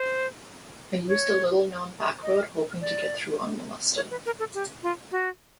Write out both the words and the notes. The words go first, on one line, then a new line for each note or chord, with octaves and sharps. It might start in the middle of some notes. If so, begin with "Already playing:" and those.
I used a little-known back road hoping to get through unmolested.
Already playing: C5
C#5
D#5
D5
C#5
B4
A#4
A4
G4
F4
F#4